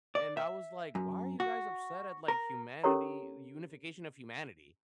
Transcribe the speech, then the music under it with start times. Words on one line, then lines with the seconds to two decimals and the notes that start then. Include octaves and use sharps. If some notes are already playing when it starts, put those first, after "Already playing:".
and I was, like, "Why are you guys upset at like humanity, unification of humanity?"
0.15 D5
0.37 E5
0.95 F#2
1.40 F#4
2.28 A#4
2.84 C#4 G4 A4 A#4 C#5 A#5